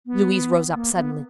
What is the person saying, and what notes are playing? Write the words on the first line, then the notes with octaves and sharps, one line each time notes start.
Louise rose up suddenly.
B3
A#3
B3